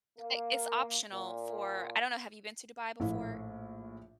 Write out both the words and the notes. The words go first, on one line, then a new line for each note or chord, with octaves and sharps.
I it's optional for I don't know, have you been to Dubai before?
A#3
A#2
A#1 A2 E4